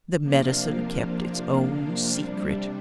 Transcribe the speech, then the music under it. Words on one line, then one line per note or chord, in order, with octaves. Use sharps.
The medicine kept its own secret.
C3 F3 A#3 D4 F4
C3 G3 D4